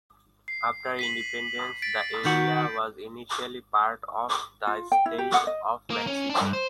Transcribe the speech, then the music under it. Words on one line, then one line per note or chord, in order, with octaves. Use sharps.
After Independence, the area was initially part of the State of Mexico.
C7
B6 D#7 F#7
A6 B6 D7
D#3 F#4 G6
F4
G5
E4
G4
F#5
D#5
A#3
C#4
D4
G2
C5